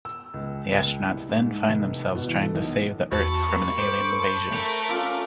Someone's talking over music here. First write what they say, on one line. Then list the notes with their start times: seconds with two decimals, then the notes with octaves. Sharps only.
The astronauts then find themselves trying to save the Earth from an alien invasion.
0.05 E6
0.34 C#2
0.72 C#2
1.05 C2
1.29 G#2
1.69 F1
2.15 B2
2.27 E3
2.42 A4
2.55 B1
3.11 E2 F#4 A5 B5 C#6 E6
3.48 G3 A#3 G5
3.78 A4 C5 D6 G6
4.19 A5
4.51 A3 A#4 E5
4.89 C#4 F4 A4 D6